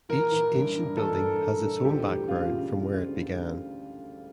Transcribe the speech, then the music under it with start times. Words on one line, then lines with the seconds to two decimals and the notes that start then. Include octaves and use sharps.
Each ancient building has its own background from where it began.
0.09 E3 A#4
0.32 E3
0.54 G2
0.75 G2
0.97 E3 A4
1.19 G2
1.41 G2
1.63 G2
1.85 D2 G4
2.06 E3
2.28 C#3 F4
2.50 C#3
2.72 C#3
2.94 D2
3.16 D2